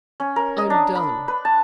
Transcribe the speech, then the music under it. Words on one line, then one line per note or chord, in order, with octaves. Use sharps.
"I'm done."
C#4
A#4
D#5
D4
B5
B4
A5